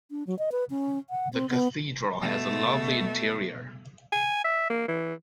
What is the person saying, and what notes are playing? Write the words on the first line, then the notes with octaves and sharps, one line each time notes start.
The Cathedral has a lovely interior.
D4
F#3
D#5
B4
C#4
F#5
C4
B3
B2 A3
G#5
E5
A#3
E3